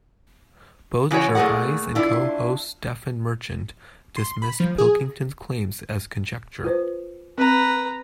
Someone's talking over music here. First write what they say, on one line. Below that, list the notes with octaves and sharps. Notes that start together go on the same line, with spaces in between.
Both Gervais and co-host Stephen Merchant dismissed Pilkington's claims as conjecture.
C#3 E3 B3 F#4 C#5
A#2 A3 G#4 A#4 F#5
D4 E4 F4
C6
B5
F3
G#4
F4 B4 C5
C4 B4 A#5